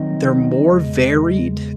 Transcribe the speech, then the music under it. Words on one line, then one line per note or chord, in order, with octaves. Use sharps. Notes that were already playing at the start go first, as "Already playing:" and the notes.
they're more varied,
Already playing: D#3 F#3 C4 D#4 D#5
E2 C#3 G#3